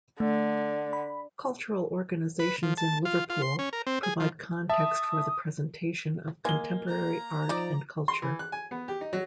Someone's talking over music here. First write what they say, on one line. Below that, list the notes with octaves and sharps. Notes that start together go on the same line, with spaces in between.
Cultural organisations in Liverpool provide context for the presentation of contemporary art and culture.
D3 A3
B5
B4
F3
A5
F4
F4
C6
C#4
A#4
C4
G#4
F3
E5 A5 D#6
G#3 A#3 G7
A#5
F3 D#4 D5
C6
E3
F#6
G#5
B3
G4
D#4
F#3